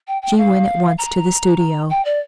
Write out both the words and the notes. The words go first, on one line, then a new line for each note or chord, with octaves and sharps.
She went at once to the studio.
G5
G5
F5
A#5
G5
D5